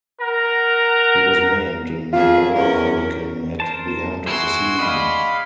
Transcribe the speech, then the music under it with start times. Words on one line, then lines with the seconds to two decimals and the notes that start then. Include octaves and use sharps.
He was named an All-American at the end of the season.
0.21 A#4 F#5 A#5
2.13 F2 F4 G#4
2.55 E2 C#4 A#4
3.60 A#4 C5 A5
4.26 E4 F#4 G#4 C5 C6
4.79 G#4 D5 D#5 F5 B5